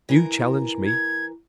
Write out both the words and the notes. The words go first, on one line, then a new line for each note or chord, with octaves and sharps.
You challenged me.
E3 A#4
G#6